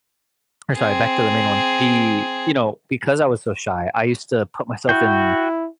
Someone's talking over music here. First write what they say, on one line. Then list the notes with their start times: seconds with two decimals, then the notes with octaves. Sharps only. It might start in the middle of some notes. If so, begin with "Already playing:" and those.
or, sorry, back to the main one. The you know, because I was so shy, I used to put myself in
0.75 C4 G#4
4.89 E4 F#4 G5